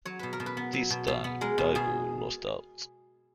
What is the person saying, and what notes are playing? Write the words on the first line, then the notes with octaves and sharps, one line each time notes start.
This time, Daegu lost out.
F#3 C#5
B2 B4
A#4
B2
B4
B3
F#3
B2
B2
B3
G#3 A#4
B2
B2 G#4